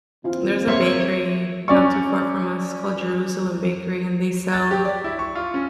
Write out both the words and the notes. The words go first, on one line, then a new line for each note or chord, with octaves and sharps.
there's a bakery not too far from us called Jerusalem Bakery and they sell,
D#2 F3 C4 E4 F4 F5
A#3 C#5 E5 C6
C#4 D5 C#6
A6
G4
D5
E4
C#6
F4
C#4